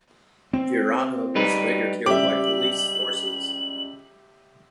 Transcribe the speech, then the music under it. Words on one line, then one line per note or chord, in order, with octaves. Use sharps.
Veeranna was later killed by police forces.
C4
G3 D#4 B4
C#2 G3 G4 E5 D6 F#7